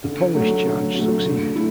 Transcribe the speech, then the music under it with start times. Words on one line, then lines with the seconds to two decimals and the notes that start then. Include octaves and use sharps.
The Polish charge succeeded.
0.04 D3
0.35 F#3 A3
0.65 D3
0.95 F#3 A3
1.25 D3
1.55 A3 E4